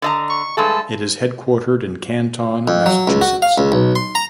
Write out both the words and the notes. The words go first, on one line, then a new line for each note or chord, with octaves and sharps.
It is headquartered in Canton, Massachusetts.
D3 D#5 A#5
C#6
G2 G#3 A3 A4
F2
F#3
C#2
F#4
F5
C#2
B1
C6
A#5